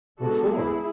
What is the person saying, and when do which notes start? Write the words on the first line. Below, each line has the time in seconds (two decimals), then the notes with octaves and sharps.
"What for?"
0.20 D3 G#3 B3 D4 F#4 A4
0.52 E4 G#4